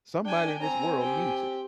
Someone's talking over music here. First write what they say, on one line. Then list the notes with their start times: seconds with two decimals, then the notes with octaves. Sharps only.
Somebody in this world needs it.
0.25 D4 G5 G#5
0.61 C4 G#5 A#5
1.03 G4 G5